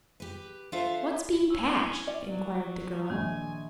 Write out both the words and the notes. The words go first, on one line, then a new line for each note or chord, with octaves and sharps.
"What's being patched?" inquired the girl.
G4 B4
D4 F4 A4 C5 E5 F5
C#4 E4
D5
F#3
A#1 D#3 G#5